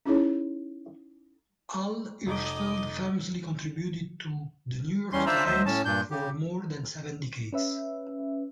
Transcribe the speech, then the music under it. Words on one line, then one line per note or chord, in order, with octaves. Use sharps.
Al Hirschfeld famously contributed to "The New York Times" for more than seven decades.
C#4 D#4 E4 G#4 C#5
F1 D#5 D6 D#6
E2 G3 C#4 C6
D4 F4 C5 E5 A#5 B5
D2 F#3 C5 D#5 E5
A2 C#4 A5
G2 A#2 D4 G6
C#3 G4
C#4 B4 E5